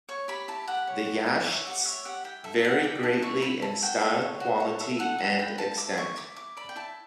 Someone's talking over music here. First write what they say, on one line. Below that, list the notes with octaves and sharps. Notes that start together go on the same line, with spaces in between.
The "Yasht"s vary greatly in style, quality and extent.
C#5 C#6
G4 B5
E4 A5
G4 F#5
C#5
G4
G4
C#5 E5
G4 F#5
C#5 E5
G4 F#5
E4 G5
A4 E5
E4 F#5
D5 G5
E4 A5
E4 C#6
E4 B5
E4 A5
F#4 G5
A4
C#5
F#4
C#5
A4 E5
A4 F#5
F#4
B4 G5
E4 A5
E4 D6
E4 C#6
E4 D6
E4 D6
D5 B5
G5
E4 A5